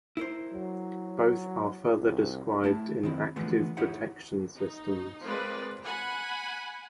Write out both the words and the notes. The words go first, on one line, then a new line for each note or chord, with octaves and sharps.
Both are further described in active protection systems.
E4 A#4 C5
F#3
C2
A3 E4 A5
D#3 C4 E4
D3 E3 F3 G#3 A3 B3
D#4 E4 G4 C#5 F#5
D#4
F3 G#3 C4 A#4 B4 D5
F#5 G#5 B5